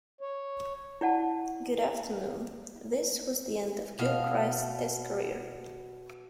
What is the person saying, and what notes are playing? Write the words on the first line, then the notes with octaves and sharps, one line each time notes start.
Good afternoon. This was the end of Gilchrist's Test career.
C#5
E4 D5 F#5 A5
B2 F5